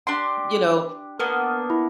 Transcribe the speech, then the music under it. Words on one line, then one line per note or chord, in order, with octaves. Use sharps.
you know
D4 G4 C6
A#3 B3 D4 A#4
E4